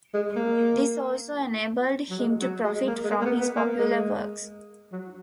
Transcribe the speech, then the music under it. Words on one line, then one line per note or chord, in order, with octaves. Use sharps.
This also enabled him to profit from his popular works.
G#3
A#3
F#3
G#3
F#3
G#3
A#3
G#3
A#3
A#3
B3
B3
A#3
G#3
F#3